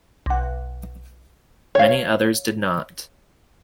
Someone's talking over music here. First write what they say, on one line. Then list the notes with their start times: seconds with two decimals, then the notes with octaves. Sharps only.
Many others did not.
0.26 B1 F#5
1.75 C#5 F5